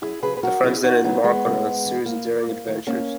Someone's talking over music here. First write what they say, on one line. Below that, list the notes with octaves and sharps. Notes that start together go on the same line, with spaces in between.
The friends then embark on a series of daring adventures.
F#2 E4 G#4
C#3 F#3 G#4 B4
B4
F#2 F#4 A#4
C#3 F#3 E4 G#4
E2 D#4 F#4
C#3 F#3 B3 D#4
E2 G#3 B3
C#3 F#3
G#2
E3
G#2 A#3
E3
G#2
D#3 F#3
G#2 A#3 C#4